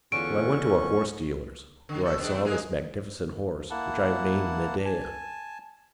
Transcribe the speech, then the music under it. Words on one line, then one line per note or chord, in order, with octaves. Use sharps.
Well, I went to a horse dealer's, where I saw this magnificent horse, which I have named Medeah.
E2 D3 A3 C#4 F4 C#6 D7
D3
A3 A4
B2 G#3 D4
A3 C4 D4
G#3 A#3 G#4
A#3 E4 F#5 A5
G#5 A5